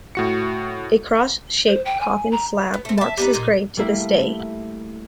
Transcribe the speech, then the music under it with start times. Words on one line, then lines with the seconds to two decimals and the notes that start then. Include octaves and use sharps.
A cross-shaped coffin slab marks his grave to this day.
0.15 A2 F#4 C#7
1.68 C5
1.85 G5
2.00 G#5
2.32 A#5
2.74 B3
2.85 A3 C4
2.98 E5 A5
3.17 G3 B3 D#4
3.33 A#2 D#4
3.77 G3 A3 A#3 E4